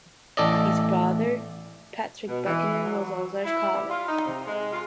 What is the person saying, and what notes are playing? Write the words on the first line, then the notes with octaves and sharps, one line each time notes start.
His brother, Patrick Buchanan, was also a scholar.
A1 A4 D5 D#5
B2
E3
F#3
E4
G3
F4
D#4
C3
G#3
F4